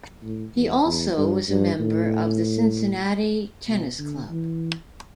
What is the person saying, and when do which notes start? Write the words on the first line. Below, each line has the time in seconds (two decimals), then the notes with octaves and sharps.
He also was a member of the Cincinnati Tennis Club.
0.23 A2
0.55 E2
0.86 E2
1.17 G2
1.48 G2
1.80 A2
3.68 B2
3.99 D3
4.30 E3